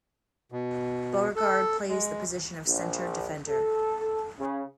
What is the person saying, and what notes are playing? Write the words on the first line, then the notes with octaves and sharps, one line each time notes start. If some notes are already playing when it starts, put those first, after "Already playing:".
Beauregard plays the position of center defender.
B2
A4
G#3
A#1
A4
C#3